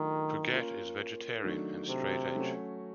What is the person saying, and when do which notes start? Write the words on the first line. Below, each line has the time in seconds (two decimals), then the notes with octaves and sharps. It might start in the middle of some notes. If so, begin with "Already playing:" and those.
Puget is vegetarian and straight edge.
Already playing: D#3 F#3 A3 D4 F4
0.52 A#3 C#4 F4 A#4
1.43 D#3 F#3 A3 D4
1.89 C3
2.35 F#3 A3 C#4 F#4